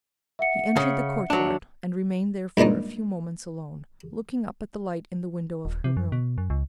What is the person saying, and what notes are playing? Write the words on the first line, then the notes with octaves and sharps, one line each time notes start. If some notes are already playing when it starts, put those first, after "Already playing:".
He entered the courtyard and remained there for a few moments alone, looking up at the light in the window of her room.
E5 F#5 C#7
C#3
F#3 D4
G2 A#2 G#3 D4 D#4
D#1
C3
F#2
B2
F#2
C#2